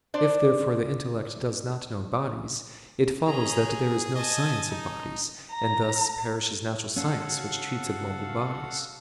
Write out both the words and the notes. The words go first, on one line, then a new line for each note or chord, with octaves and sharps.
If, therefore, the intellect does not know bodies, it follows that there is no science of bodies; and thus perishes natural science, which treats of mobile bodies.
D4 C5 D5
C#4 G#4 A#5
D#5 G#5 A5
D#4
A#5
C#3 C#4 F#4 A4 F5 F#5